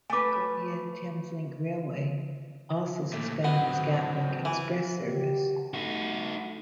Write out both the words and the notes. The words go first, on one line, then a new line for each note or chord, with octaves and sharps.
Govia Thameslink Railway also suspended its Gatwick Express service.
A3 B4 G#5 D6
A#2 A3
F#3 B3 C4 F#5
E3 E5 G#5
F#4 G4
A3 D#4 F#4